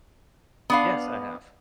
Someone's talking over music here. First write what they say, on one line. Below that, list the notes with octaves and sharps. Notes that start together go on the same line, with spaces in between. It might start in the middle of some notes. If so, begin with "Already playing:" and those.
Yes, I have.
B3 D4 F5